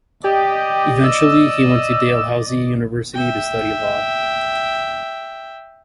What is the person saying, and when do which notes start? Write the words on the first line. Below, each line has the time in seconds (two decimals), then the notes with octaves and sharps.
Eventually he went to Dalhousie University to study law.
0.24 G4 D5 D#5
1.04 E6
3.14 E5 G5